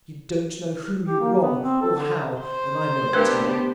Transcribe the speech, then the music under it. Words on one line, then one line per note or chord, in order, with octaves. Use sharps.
You don't know whom you wrong, or how; and I may not tell.
G4
A#3
B3
C4
A4
D3
C5
A3 B3 D4 G4 A#4 B4